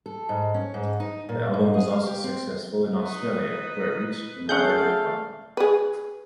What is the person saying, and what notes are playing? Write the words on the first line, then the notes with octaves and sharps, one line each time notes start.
The album was also successful in Australia, where it reached number one.
A4
G#2
C#4
G#2
D#4
A#2
G#2
G#4
F5
G4
C4
D#4 B4
A3 C#4 G#4 D5 F5 F#5 G6
G#4 B4